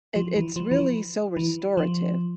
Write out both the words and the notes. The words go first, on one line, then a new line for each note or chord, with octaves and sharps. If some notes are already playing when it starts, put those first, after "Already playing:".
it it's really so restorative,
F3
E3
F3
E3
F3
E3
F3